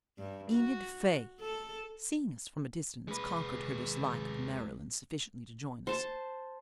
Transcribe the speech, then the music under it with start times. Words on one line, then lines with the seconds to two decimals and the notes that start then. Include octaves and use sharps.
Enid Faye, seeing us from a distance, conquered her dislike of Marilyn sufficiently to join us.
0.18 G2
0.51 F#4
1.40 A4
3.08 G#3 B4
5.87 C5 A5